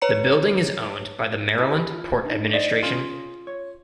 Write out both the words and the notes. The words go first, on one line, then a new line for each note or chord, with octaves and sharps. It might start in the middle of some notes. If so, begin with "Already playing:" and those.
The building is owned by the Maryland Port Administration.
B4 C#5 A#5 C#7
E4 G4 G#4 B4
F4
D4 D#4
C5 D5 D#5
C#4 F4 G#4
C#5